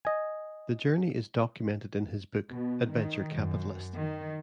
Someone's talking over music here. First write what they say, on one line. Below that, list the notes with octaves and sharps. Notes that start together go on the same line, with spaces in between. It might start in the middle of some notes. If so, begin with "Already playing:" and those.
The journey is documented in his book Adventure Capitalist.
D#5 G#5
B2
D#3
F#2
D#3